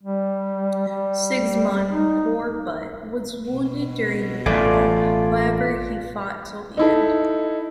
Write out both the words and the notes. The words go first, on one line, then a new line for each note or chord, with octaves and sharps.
Sigismund Korybut was wounded during the battle, however he fought till the end.
G3
G3
D#4
B2
A1 A3 F4 D5 G#5
D#4 E4 A4